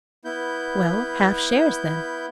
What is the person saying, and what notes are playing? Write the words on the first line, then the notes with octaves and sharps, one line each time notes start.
"Well, half shares then."
B3 E4 G6